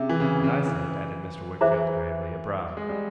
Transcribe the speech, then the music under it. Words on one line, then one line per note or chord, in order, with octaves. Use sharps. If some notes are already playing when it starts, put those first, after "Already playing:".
'And I said' added Mr. Wickfield gravely, 'abroad.
Already playing: C3 C#4 G#4 E5
E3
C#3
C#3
E3
E3 G#4 C5 E5 A#5
G#3
G3